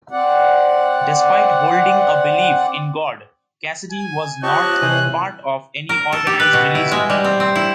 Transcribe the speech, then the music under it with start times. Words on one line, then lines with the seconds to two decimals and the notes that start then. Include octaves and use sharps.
Despite holding a belief in God, Cassidy was not part of any organized religion.
0.11 C4 D5 F#5
3.92 G#5
4.43 C4 F4 G4 C#5 D#5 A5 C#6 F#6
4.82 C3 E3 C5 C#5 G#5
5.89 A#4
6.13 A4
6.27 G4
6.40 B4
6.53 B2
6.75 E4
6.92 G#3
7.10 G3
7.24 C4
7.40 C4
7.56 E4